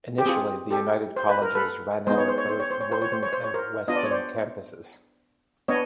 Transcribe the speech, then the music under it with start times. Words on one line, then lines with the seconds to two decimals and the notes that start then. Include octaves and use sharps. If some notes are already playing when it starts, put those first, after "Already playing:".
Initially, the united colleges ran out of both Woden and Weston campuses.
0.18 G4
0.26 C4 F4 G#4
0.71 G4 A4
1.16 C5
1.29 B4
1.42 A#4
1.55 A4 B4
2.07 G#3 B3 D#4 C5
2.18 C#5
2.28 C5
2.38 C#5
2.49 C5
2.60 C#5
2.71 C5
2.81 C#5
2.92 C5
3.02 C#5
3.12 C5
3.23 C#5
3.33 C5
3.44 C#5
3.54 A#4 C5
3.88 B3 D4 F4 D#5
3.96 D5
4.03 C#5
4.11 C5 D5
5.68 B3 D4 C#5 D#5